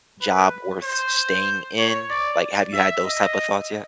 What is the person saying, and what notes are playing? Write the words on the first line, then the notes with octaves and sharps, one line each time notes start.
job worth staying in? Like, have you had those type of thoughts yet?
B4
C5
C#5
D5
E5
D#5